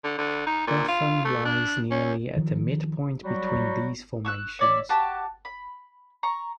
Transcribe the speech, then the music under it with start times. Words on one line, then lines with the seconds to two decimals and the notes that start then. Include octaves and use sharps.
Buffon lies nearly at the midpoint between these formations.
0.04 D3
0.18 D3
0.46 D#4
0.67 A#2
0.88 F4
1.25 A3
1.45 D4
1.91 C#4
2.37 D#3 F3
3.23 F#3 G3 F#4
4.25 C#6 E6 F#6
4.59 C#5 D5 E5
4.89 F#4 G4 A5
5.45 B5
6.23 A#5 C#6